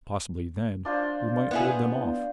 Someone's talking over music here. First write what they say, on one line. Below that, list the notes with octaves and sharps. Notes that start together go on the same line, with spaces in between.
Possibly then we might hold them off.
D4 F4 C5
B3 E4 G#4